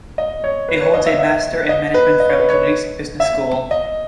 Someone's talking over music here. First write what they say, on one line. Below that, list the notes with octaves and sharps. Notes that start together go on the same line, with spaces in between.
He holds a Master in management from Toulouse Business School.
D#5
C#5
B4
C#5
D#5
E5
E5
D#5
B4
D#5
C#5
B4
C#5
E5
D#5